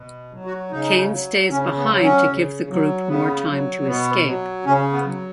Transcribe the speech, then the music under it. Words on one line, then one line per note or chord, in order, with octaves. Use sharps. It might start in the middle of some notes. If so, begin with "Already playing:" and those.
Kane stays behind to give the group more time to escape.
Already playing: B2
F#3
F#4
C#3 D#4
F#3
C#3 C#4
B3
F#3
C#4
C#3
F#3
C#3 B3
F#3
B2 B3
F#3
C#3 C#4
B3
F#3